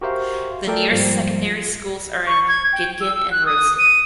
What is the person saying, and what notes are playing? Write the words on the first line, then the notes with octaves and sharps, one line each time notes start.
The nearest secondary schools are in Gin Gin and Rosedale.
F#4 G4 A#4 C5 E5 F5
A3 A4 A#4 D5 G5
G#2 F3 G3 A#3
C#6
G#6
G5
E6
E6
F#6
D#6
D#7